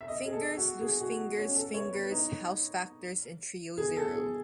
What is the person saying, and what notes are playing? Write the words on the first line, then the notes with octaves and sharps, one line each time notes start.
Fingers, Loosefingers, Fingers, House Factors, and Trio Zero.
E5
D#5
G#4
A4
F#4
G#4
F#4
C#4
A4
C#5
B4
D#4
G#4
A4
G#4